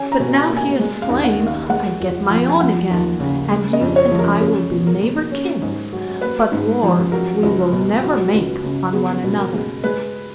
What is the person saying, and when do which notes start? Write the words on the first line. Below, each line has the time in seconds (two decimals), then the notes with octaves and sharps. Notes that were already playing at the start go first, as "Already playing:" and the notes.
But now he is slain I get my own again, and you and I will be neighbour kings, but war we will never make on one another.'
Already playing: C#4 G#5
0.12 A#5
0.20 B2
0.34 G#5
0.49 A#3
0.57 G#5
0.79 G#3
1.02 F5
1.10 D#2
1.24 F#5
1.40 D#3
1.47 F5
1.69 G#3 F#5
2.00 F2
2.30 F3
2.50 G#5
2.61 F3 F#5
2.91 D#2
3.20 C#3
3.51 G#3
3.73 D#5
3.81 F2
3.96 C#5
4.11 F3
4.19 A#4
4.41 C#4 G#4
4.71 B2
4.87 A#4
5.02 A#3
5.32 C#4
5.62 G#2
5.93 F#3
6.21 A#3 B4
6.52 G#2
6.83 F3
7.12 F#3 A#4
7.43 C#2
7.72 B2
8.03 F#3
8.33 C#2
8.64 C#3
8.93 B3 G#4
9.24 B2
9.39 A#4
9.54 G#3
9.84 G#3 B4